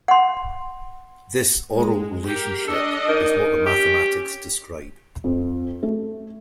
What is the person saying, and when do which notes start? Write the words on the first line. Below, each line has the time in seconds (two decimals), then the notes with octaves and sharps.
This aural relationship is what the mathematics describe.
0.08 F#5 C6
1.71 G#3
2.26 G4 A#4
2.68 D4 A4 D#5
3.08 D#3
3.66 C#4 G4
5.24 F2
5.83 A3